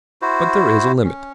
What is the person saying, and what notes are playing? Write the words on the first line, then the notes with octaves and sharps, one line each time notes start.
But there is a limit.
E4 F#4 C5
C#4